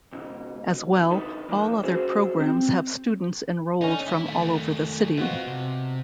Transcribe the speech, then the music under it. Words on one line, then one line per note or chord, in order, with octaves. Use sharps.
As well, all other programs have students enrolled from all over the city.
C#2 G#2 B2
D3 D#4 A4 B4
D#3 F3 A#3 D4
C#4 F#4 G#4 A4 C5
C4
D3 C#4 D#4
G#1 E4
D#3 A3
B2 C4 F4 F#4
C3